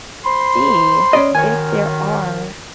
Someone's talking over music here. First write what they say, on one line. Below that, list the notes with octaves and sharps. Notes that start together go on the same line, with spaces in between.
see if there are
C5 B5 C6
C#4 D5 D#5
F#2 D#3 C#5 G#5